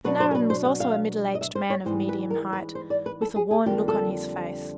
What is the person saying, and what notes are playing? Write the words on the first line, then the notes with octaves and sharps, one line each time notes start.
Fanarin was also a middle-aged man of medium height, with a worn look on his face.
B2 F#3 B3 D4 B4
C5
A#4
B4
C5
F#5
F5
D#5
E5
C5
C#5
G#2 E3 G3 C5
B4
A#4
B4
C5
D5
B4
A4
G#4
G#4
F2 D3 G3 A#3 G4
A4